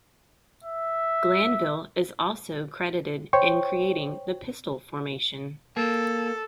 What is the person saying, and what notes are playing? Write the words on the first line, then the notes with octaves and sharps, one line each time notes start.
Glanville is also credited in creating the Pistol formation.
E5
C5 C#5 G5 C#6
A#3 A4